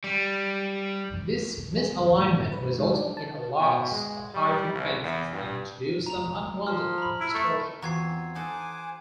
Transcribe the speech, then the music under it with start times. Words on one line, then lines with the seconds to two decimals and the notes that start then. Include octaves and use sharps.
This misalignment resulted in a loss of high frequencies and introduced some unwanted distortion.
0.04 G3
1.77 G#3
1.96 D#2
2.17 A2
2.40 G1
2.52 B4
2.65 D2
2.78 G#2
2.93 D4
3.17 A5
3.59 B2
3.92 G#3
4.34 G3
4.74 C2
5.03 E2
5.32 G2
6.06 A#5 F7
6.67 F3 A5 C6 F6
6.98 A#5 B5
7.20 E4
7.34 A3
7.82 E2 C4 F4 F#4 G#5 A#5 G#6 C7
8.35 D#4 A4 C5 F#5 G#5 D6